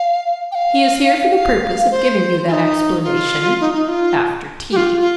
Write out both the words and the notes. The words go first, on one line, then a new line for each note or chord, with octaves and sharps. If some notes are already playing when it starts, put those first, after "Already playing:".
He is here for the purpose of giving you that explanation--after tea.
Already playing: F5
G5
F5
F5
C5
F4
D#4
F4
D#4
D#4
F4
G4
F4
F4